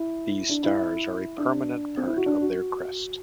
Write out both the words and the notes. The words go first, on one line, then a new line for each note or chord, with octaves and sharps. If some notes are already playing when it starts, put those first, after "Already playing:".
These stars are a permanent part of their crest.
Already playing: E4
D4
E4
D4
C4
E4
F#4
D4
F#4